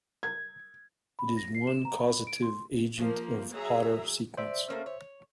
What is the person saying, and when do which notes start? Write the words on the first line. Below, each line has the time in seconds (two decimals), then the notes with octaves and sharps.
It is one causative agent of Potter sequence.
0.23 G#6
1.19 B5
1.37 A#6
1.55 C7
1.67 E7
1.85 A#5
1.98 B5
2.27 D7
2.42 C6
2.99 F3 A#3 A#4
3.51 F#3 G#4 E5 A#5
4.37 C5 D5 E5
4.68 A3 A#3 C#4
4.86 C#5